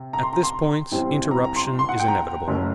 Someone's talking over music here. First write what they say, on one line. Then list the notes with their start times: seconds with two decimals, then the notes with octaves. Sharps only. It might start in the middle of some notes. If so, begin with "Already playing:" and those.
At this point, interruption is inevitable.
Already playing: C3
0.13 A#5
0.23 C6
0.33 A#5
0.43 C6
0.91 A1 A2 G3 C4
1.31 A#5
1.44 A#5
1.56 C6
1.79 C6
1.89 F#5
2.00 G5
2.08 A#5
2.48 F#1 F#2 F#3 A3